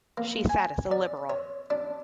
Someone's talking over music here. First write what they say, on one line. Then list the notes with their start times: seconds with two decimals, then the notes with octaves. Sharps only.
She sat as a Liberal.
0.18 A#3
0.49 G#5
0.91 D5
1.30 C#5
1.70 D4